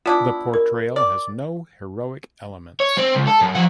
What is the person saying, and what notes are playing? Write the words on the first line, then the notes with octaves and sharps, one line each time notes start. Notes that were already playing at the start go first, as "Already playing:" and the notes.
The portrayal has no heroic elements.
B3 D4 E4 F4
A#4
D5
C#5
C4
C#2
A4
F#2
F3 F#5